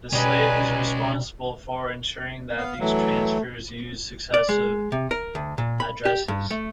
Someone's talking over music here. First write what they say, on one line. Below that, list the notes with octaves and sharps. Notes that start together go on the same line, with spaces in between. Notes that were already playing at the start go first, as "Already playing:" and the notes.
The slave is responsible for ensuring that these transfers use successive addresses.
B2 G3 C#4 D#4 B4 D#5 G#5
B3 F5
E3 F#3 A3
D5
G#3
C3
A#4
D2
A#2
B5
G4
G2
A3